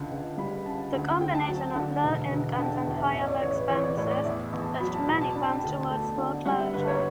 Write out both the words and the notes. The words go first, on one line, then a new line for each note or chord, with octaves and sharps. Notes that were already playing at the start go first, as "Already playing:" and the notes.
The combination of low incomes and higher expenses pushed many farms toward foreclosure.
Already playing: C#2 D3 A5
C#2
G3 B5
C#3 A5
D2
F#5
D2 G5
A5
F#3
D3
E1
E1
G5
D3 A5
G5
E2
E5
A1 E5
C#5
D5
A1 C#5
B4
E3 C#5
D5
A2 C#5
D5
E2 E5
E2
A5
F#3 B5
A5
B2 B5
A5
D4 B5
A5
G5
A5
D2
A3
D3
G3 F#5
E5
G1 B4
C#5